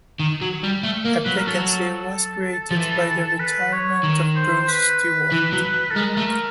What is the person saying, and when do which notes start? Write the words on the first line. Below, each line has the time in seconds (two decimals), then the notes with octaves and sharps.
A vacancy was created by the retirement of Bruce Stewart.
0.19 D#3
0.41 F#3
0.63 G3
0.84 A3
1.06 A#3
1.25 F#3 B4
1.37 A#4
1.48 F#3 A4
2.71 F3
2.76 E3
3.40 B4
3.72 C#5
4.04 D#3
4.36 C5
4.62 C5
4.68 B4
5.32 E3
5.53 F#3
5.91 A4
5.96 G#3 A#4
6.17 A3
6.28 A#4